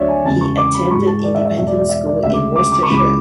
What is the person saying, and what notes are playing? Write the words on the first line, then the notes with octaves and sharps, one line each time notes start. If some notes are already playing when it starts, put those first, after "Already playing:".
He attended independent school in Worcestershire.
Already playing: D2 D3 F#3 C#5 D5 E5
G#5
E2 C#3 G#3 A5
C#6
D6
B5
G#2 E3 G#3 C#6
A5
D5
E5
E5
E2 B2 G#3 E5
D5
D5
E5
D5
D2 C#3 G#3 E5
D6
D6
D6
C#6
C#2 C#3 E3 G#3 B5
D6